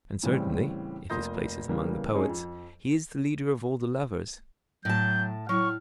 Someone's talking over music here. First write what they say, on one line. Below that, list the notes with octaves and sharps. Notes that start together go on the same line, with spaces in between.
And certainly, if his place is among the poets, he is the leader of all the lovers.
A2 C#3 E3 G3 C4
F1 A#3 C6 D#6 G6 A#6
C#3 E3 G3 A#3 B3
G#3 C4 C#4 D#4 G#4
F2
A2 F#3 A5 G6
A2 F#3 C#6 F6